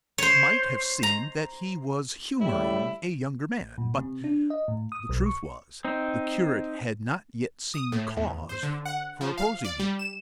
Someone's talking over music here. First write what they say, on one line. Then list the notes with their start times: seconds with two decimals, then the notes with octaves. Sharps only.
It might have seemed that he was humouring a younger man, but the truth was, the curate had not yet seen cause for opposing him.
0.18 C5 C#5
1.03 A#5
2.41 A2 C#3 G3 E4
3.78 A#2
3.98 C3
4.24 D4
4.50 D#5
4.68 A2
4.92 D#6
5.09 B1
5.26 C#6
5.85 C4 D#4
7.74 D#6
7.92 A2
8.17 E2
8.49 C5
8.63 D3
8.85 F#5
9.21 F3
9.38 F5
9.64 D5
9.80 G3
9.99 E7